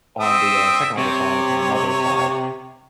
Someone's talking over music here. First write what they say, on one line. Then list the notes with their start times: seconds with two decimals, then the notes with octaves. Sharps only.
on the, uh, second oldest side, my mother's side,
0.20 C4 E5 D#6
0.98 C3 C#5